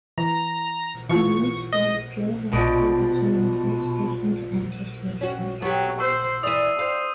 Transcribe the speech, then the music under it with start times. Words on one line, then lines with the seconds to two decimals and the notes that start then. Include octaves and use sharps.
On this flight, Joe Walker became the first person to enter space twice.
0.18 E3 A#5
1.09 E3 F4 C#6
1.72 D#5
2.53 A#1 B2 F3 D4 D#5 D7
5.21 C#4 F#4
5.62 F#3 B3 G4
6.00 C5 E6 C7
6.43 E3 D5 E5 D#6 D#7
6.79 C5 F5